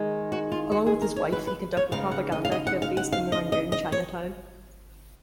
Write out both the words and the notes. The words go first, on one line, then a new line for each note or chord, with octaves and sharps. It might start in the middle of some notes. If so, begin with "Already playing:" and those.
Along with his wife he conducted propaganda activities in the Rangoon Chinatown.
Already playing: D#3 G#3 D#4
F#4
F4
F#4
G#4
A#4
C#5
B4
B4
C#5
C#3 G#3 B3 D#4 F5
F#5
D#5
F5
D#5
F#5
F5
F#5
F5
D#5
D#5
D#5
C#5